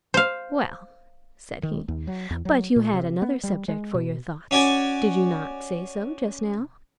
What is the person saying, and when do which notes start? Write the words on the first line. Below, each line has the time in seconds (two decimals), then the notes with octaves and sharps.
"Well," said he, "but you had another subject for your thoughts; did you not say so just now?"
0.14 C5 F5
1.63 D#3
1.88 D#2
2.07 F#3
2.31 E2
2.45 F#3
2.76 A#2
2.94 C3
3.22 B3
3.44 G3
3.68 G#3
3.94 B2
4.51 C#4 F#4 D5 G#5